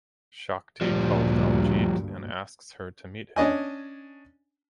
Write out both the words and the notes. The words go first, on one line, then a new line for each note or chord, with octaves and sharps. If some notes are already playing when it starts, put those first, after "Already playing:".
Shakti calls Daljeet and asks her to meet him.
D2 G2 A#2 F3 G3
C#4 D4 D#5 G#5